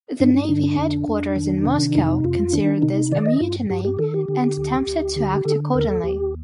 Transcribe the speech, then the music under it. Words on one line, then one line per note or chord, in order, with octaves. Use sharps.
The Navy headquarters in Moscow considered this a mutiny and attempted to act accordingly.
G2 D4
D4
D3 D4
D4
F2
F2
D#3
C3
F2 D#4
F2 F4
D#3 D4
C3 D#4
D#3 D5
D#5
G2 F4
G2 G4
G4
D#3 A4
G4
D3
D2
D2
D3
D3 A4
D#2 A#4
A4
D#2 G4